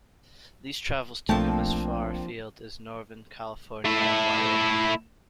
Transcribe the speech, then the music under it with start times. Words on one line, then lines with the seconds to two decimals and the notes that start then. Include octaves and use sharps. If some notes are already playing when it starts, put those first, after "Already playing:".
These travels took him as far afield as Northern California and Wyoming.
1.29 B1 F3 A3 A#3 C4 D4 G5 A5
3.85 A3 E4